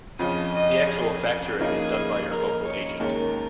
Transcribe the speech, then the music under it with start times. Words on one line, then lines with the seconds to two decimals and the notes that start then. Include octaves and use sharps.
The actual factoring is done by your local agent.
0.19 F2 C#3 F3 D#5
0.54 D#5
0.89 G#4
1.59 C#3 F3 A#3 D#4 G#4
2.30 A#4
2.66 C#5
3.00 D#2 D#3 G#3 C#4 A#4